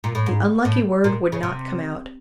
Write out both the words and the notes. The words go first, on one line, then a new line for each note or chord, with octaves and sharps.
The unlucky word would not come out.
A#2
A2
G#2
A2
A#2
C#3
C3